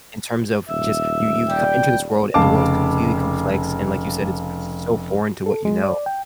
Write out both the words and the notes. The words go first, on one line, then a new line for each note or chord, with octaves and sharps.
in terms of just you you come into this world and the world's completely complex and like you said, it's so foreign to what you know,
D#1 E5
G3 G5
F1 C#3 F5 A5 D6
A4
G#3
D5
G5